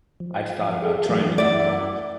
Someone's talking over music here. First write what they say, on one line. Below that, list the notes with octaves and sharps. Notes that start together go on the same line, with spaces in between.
I've thought about trying to grow,
F3
G#4 A4
E3 F#3 A3
E4 D5 F#5 D6